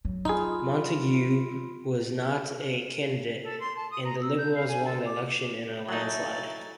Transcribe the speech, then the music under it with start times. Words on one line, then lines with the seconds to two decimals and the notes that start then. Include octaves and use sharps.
Montague was not a candidate, and the Liberals won the election in a landslide.
0.05 F#3
0.25 D#4 F4 G#4 B5 C6
3.43 A4
3.60 C6
3.76 A5
3.91 D#6
4.04 A#5
4.21 E6
4.37 G6
4.54 F5
4.67 G#5
4.85 A4
5.05 D6
5.89 F#3 A3 D#4 E4 G#5 A6